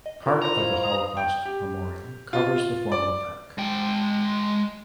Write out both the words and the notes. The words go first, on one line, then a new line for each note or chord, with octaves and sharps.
Part of the Holocaust Memorial covers the former park.
D#5
E4 F4 A#4
C5 A#5 C6 D6
E4 D#5 F5
C6 D#6
G5
G4
F4
D5
G#3 G5